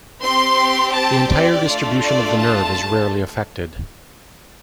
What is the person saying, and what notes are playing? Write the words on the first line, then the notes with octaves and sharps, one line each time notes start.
The entire distribution of the nerve is rarely affected.
C4 G4 C6
A5
D5
A3 D4 F4 A4
D5
A5